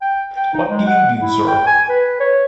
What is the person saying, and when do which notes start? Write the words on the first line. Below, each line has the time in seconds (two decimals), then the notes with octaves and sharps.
What do you do, sir?
0.01 G5
0.37 G5
0.54 D#4
0.69 G#3
0.87 F#5
1.21 E4
1.48 G5
1.66 G#5
1.89 B4
2.20 C#5